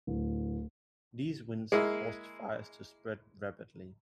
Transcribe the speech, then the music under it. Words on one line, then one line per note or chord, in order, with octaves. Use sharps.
These winds caused fires to spread rapidly.
D1
G#3 A#3 E4